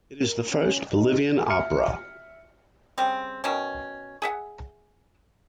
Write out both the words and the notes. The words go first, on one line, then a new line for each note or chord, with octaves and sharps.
It is the first Bolivian opera.
A#4
C#4
D#4
E5 F6 C#7
C#3 G3 C4
B2 D#3 C#4
G#4 E5 F#5